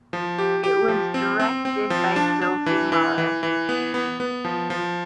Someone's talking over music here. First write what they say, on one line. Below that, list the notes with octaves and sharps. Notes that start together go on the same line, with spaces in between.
It was directed by Sophie Muller.
F3
G4
G4
F3
C4
C4
C4
F3
D4
D4
E3
E3
E3
E3
B3
B3
B3
F3
F3